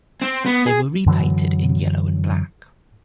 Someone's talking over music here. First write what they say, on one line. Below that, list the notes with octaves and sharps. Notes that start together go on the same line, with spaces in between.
They were repainted in yellow and black.
C4
B3
G#4
F#2 D3 E3 F#3